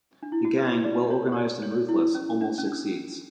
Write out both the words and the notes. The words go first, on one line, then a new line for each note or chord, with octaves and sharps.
The gang, well-organized and ruthless, almost succeeds.
D4
E4
F#4
B4
C#5
B4
D5
C#5
C#5
D5
C#5
E4
C#4
D4
C#4
D4